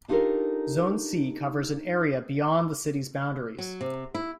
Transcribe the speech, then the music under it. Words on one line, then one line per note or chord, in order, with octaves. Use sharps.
Zone C covers an area beyond the city boundaries.
D4 D#4 F4 G4 A4 A#4
F#3
C3
E4